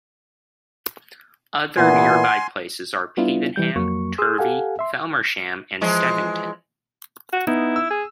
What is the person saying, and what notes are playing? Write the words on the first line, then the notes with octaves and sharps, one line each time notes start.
Other nearby places are Pavenham, Turvey, Felmersham, and Stevington.
A#2 E3 B3 F#5 G#5 C6
G3 B3 D4 E4 F4
E3 G3 G6
F2 F#3 A#3 C#6
G#4 C6 D#6 E6
G4 A4 F5 F#5 G#5
E5 C6
E3 F3 G#3
F#4
B3 D#4 E4
E6
G#4